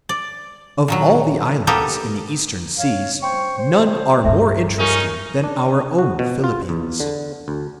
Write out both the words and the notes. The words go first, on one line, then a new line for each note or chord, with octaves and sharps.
Of all the islands in the eastern seas, none are more interesting than our own Philippines.
D5
A#2 D#3 F#3
A#3 B3 D#4 G4 A4
C#5 F5
C5 G5 C6 C#6
C5
G2 C4 A4 E5 A5
C#4 D#4 G4 A#4 F5
D4
F#4
B2
F4
E2
D3
D2